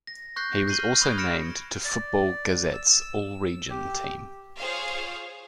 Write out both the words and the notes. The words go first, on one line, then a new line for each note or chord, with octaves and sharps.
He was also named to Football Gazette's all-region team.
A#6
C#6 F#6 G6 A#6 C7
G6 A#6 C7 D#7 F#7 G7
F6
B5 C#6 D#6 F#6 G#6
B5 F6 A#6 C#7 D7 E7
D5
E6
G4
F4 G#4 C5 C#5 F5